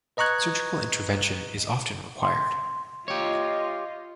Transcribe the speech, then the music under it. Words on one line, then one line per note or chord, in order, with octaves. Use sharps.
Surgical intervention is often required.
B4 D#5 A#5 C#6 F#6 G#6
C6
F4 G4 C#5 D#5